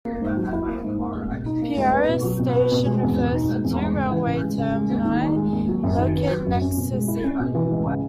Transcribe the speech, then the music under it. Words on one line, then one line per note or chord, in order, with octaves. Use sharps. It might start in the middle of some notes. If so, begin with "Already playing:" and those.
Piraeus station refers to the two railway termini located next to the seaport.
A#3
G#2
F#3
E4
A#3
G#2
A#3
C#2
B2
D#4
A#3
C#2
B3
B2
F#3
B2
B3
B2
G#3
E2
B2
D#4
G#3
E2
G#3
C#3
E3
C#3
G#3
C#3
G#3
D#2
D#3
D#4
G#3
D#2
F#3
F#2
D#3
B3
F#3
F#2
C#4
B2
G#3
E4
C#4
B2
E3
C#2
C#3